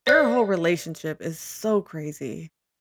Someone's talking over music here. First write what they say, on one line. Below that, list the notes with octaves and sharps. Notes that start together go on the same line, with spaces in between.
Their whole relationship is so crazy.
C5 D5 F#6